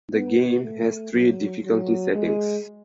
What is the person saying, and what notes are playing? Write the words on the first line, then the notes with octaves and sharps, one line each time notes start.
The game has three difficulty settings.
B3
A3
F#3
F#3
G#3